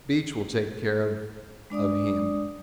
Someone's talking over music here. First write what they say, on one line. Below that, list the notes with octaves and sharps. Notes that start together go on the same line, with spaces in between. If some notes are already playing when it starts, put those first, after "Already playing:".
Beach will take care of--of him.
G#3 D4 D5 D#6